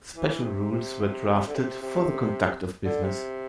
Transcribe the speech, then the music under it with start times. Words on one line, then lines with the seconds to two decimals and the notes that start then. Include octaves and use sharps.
Special rules were drafted for the conduct of business.
0.16 E3
0.43 C3
0.71 C3
1.47 D3
1.55 C3
1.82 C3
2.85 D3
3.04 C3